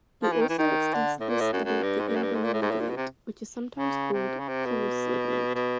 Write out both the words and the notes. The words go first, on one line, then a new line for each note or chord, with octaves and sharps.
He also extensively studied the inguinal ligament, which is sometimes called Colles' ligament.
F3
E3
D#3
E3
D#3
D3
A2
A#2
A2
F#2
F#2
G2
G#2
G2
F#2
G2
G#2
A#2
A2
G#2
A2
A#2
B2
C3
C#3
C3
C#3
C3
B2
B2